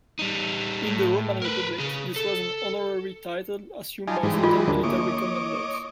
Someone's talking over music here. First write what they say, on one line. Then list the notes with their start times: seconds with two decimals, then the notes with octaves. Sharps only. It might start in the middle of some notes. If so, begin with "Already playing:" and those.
In the Roman Republic, this was an honorary title assumed by certain military commanders.
0.19 G3 D#4
0.86 A2
1.42 A#4 B4
1.80 C#3 G#4
2.16 A4
4.08 G3 D#4 F4 G#5 A5
4.23 G#2 E3 G3 G#3
4.44 F4 D#5
4.68 D2 D4 A#4
4.83 A#3 E4 C#5 D#5 D6